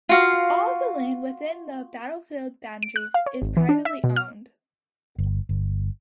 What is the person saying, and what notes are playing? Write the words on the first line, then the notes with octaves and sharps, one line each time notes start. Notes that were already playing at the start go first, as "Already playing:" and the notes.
All of the land within the battlefield boundary is privately owned.
F4 F#4 F5
D7
F#6
F5
C#5
G#1
E3
D4
E5
B2
F6
G1
G1